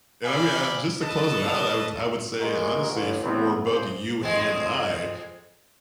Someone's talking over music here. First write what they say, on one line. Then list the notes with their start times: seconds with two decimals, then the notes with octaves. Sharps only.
And, I mean, I just to close it out, I would I would say, honestly, for both you and I,
0.24 D5 F5 G5 G#5 B5
1.02 A4 B4 D#5 A5
2.40 A1 A#2 G3 G#3 F#4 A#4
2.92 A1
3.23 E2 B3 C4
3.66 C2 C#3 G#4 C5
4.23 F2 G#3 C4